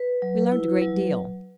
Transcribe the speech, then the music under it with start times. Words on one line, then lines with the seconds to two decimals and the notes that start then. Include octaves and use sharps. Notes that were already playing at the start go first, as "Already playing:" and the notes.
We learned a great deal.
Already playing: B4
0.22 F#3
0.52 E4
0.81 F#3